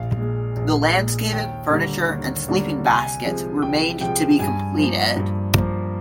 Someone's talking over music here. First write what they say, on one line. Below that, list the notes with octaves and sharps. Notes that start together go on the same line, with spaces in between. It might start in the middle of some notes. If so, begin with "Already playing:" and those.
The landscaping, furniture and sleeping baskets remained to be completed.
Already playing: A#1 F5
A#2 G#3
A#1
A#2 G#3
D#2 G5
D3 G3 A#3
D#2
D3 G3 A#3
C2 G#5
C3 F3 G#3
C2 G5
C3 F3 G#3 G5
G2 G#5
F3 A#3
G2
F3 A#3